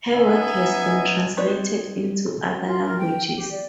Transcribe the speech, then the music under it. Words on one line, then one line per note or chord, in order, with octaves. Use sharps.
Her work has been translated into other languages.
B3 C#4 D#4 D#5 E5 G#5
C4 D#4 B4 C#5 D5
F4
A#4
G5
G4
D5